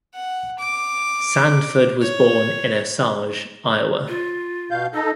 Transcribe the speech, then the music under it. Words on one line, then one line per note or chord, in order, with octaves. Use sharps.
Sandford was born in Osage, Iowa.
F#5
D6
C#5
F4
B2 F5 G6
D#4 A4 D#5